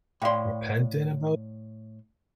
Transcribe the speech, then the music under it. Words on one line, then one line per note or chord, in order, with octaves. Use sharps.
repentant about it
A2 D5 F5 G5 C6